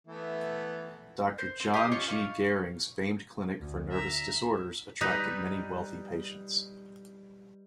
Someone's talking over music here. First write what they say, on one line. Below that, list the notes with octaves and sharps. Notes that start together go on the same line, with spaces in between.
Doctor John G. Gehring's famed clinic for nervous disorders attracted many wealthy patients.
E3 A3 B3
C5
C4
G4 C5 D#5
C#4 F4 C#5 C#6
F5 C#6
D2
E5 A#5
G3 D#4 B4 D#5